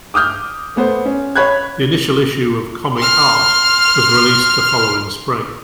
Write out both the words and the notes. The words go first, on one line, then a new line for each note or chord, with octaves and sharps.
The initial issue of "Comic Art" was released the following spring.
D6 D#6 F6 G6
A3 B3 C5
C#4
C#5 B5 F#6 G#6
C6 F6